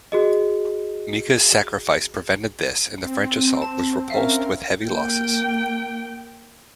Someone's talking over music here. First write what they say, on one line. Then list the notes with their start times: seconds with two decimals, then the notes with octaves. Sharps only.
Micca's sacrifice prevented this, and the French assault was repulsed with heavy losses.
0.12 F#4 G#4 D#5
3.05 C4
3.62 A5
4.10 C#4 A#4 E5 F5
4.83 A#3 G5